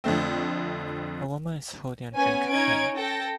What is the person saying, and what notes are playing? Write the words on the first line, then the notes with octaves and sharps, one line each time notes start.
A woman is holding a drink can.
F2 D3 A3 C4
B3 C#4 G#5
C#4 D#4 G#6 D7
A4 G5 A#6